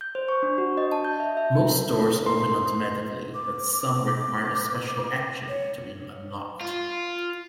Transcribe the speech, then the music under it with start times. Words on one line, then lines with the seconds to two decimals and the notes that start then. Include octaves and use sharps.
Most doors open automatically, but some require a special action to be unlocked.
0.01 G6
0.15 C5
0.29 C#6
0.43 D4
0.58 F#4
0.77 D#5
0.92 A5
1.04 G6
1.20 E5
1.37 E5
1.55 D#4
2.26 C6
3.34 D6
5.48 C#5
6.61 F4